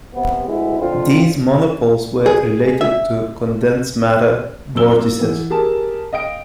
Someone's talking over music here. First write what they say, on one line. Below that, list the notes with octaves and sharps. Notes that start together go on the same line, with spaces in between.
These monopoles were related to condensed matter vortices.
C3 B3
D2 G#3 B3 E4
F2 D3 C4 F4
G#4
E5
F#2 C4 A#4 E6 G7
A#3
E3 B3
G4 G#4 A#4 A5
D#5 F5 G5 D7